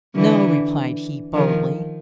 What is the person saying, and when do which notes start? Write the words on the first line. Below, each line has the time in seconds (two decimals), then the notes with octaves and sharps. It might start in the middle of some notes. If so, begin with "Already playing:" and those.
'No,' replied he, boldly.
0.16 D3 E3
1.34 D#3 F3